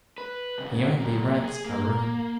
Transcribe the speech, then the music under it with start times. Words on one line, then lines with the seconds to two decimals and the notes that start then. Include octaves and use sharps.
He only rents a room.
0.18 B4
0.58 C2 C#3
1.01 F#2 A#3
1.44 G#4
1.66 A#3